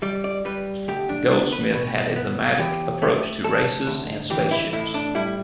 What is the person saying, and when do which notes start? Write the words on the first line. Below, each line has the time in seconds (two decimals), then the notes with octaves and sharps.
Goldsmith had a thematic approach to races and spaceships.
0.02 G3 D5
0.24 D5
0.45 G3 B4
0.88 D2 G4
1.09 D4
1.31 B3 D4
1.52 B4
1.74 B2
2.16 B3
2.59 E2 G4
3.02 A3
3.44 D2 A4
3.87 D2
4.30 E3 G4
4.51 E4
4.73 A2 E4
4.94 D4
5.15 G3 E4